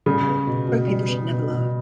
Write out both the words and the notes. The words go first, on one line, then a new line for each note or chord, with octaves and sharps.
Broke people should never laugh!
C#3 G3
B3
B2
B2
G3
B3
B2
B2